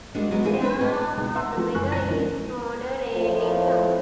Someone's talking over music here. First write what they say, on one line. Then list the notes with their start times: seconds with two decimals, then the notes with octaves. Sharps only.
There the weather is moderate in summer.
0.15 G3 G#3 A#3 D4 F#4
0.31 F#3 G#3 B3
0.44 E3 A#3 F4 F#4 G#4
0.60 C4 D4 E4 B4
0.81 A2 A3 D#4
1.17 C#2 B2 D#4 G#4
1.35 B4 E5 F#5 C6 E6
1.57 E3 F3 A3 C4 A4
1.75 F#1 A#2 G#3 G#5 C#6 F#6
1.91 C#2 G#5 A#5 A#6 D#7
2.08 D3 E3 F3 G#3 C#4 D#4
3.15 F2 A2 F3